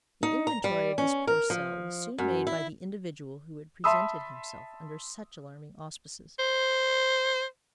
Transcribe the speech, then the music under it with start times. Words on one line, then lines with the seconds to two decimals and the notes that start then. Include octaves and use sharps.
The inventory of this poor cell was soon made by the individual who had presented himself under such alarming auspices.
0.23 D#4
0.47 A#5
0.64 G3
0.98 C#4
1.27 A#4
1.50 F3
2.18 F#2
2.47 E4
3.84 E5 A5 B5 C6 D#6 E6
6.39 C5